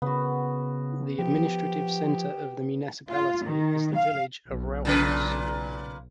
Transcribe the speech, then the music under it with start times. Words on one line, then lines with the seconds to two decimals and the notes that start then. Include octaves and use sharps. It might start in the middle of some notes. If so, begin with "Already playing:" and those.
The administrative centre of the municipality is the village of Raufoss.
0.02 C#3 B3 F#4
1.19 F3 G4
3.09 F4
3.45 D#3
3.96 F5
4.48 B1
4.85 A#2 C#3 B4